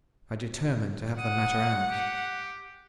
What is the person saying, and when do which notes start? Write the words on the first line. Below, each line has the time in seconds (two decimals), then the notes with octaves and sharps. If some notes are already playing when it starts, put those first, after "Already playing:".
I determined to have the matter out.
1.19 F#5 D#6
1.89 G4